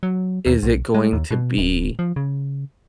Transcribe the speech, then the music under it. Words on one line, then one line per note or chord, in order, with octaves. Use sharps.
is it going to be
F#3
D#2
B1
G#3
D#2
B2
D1
F3
C#3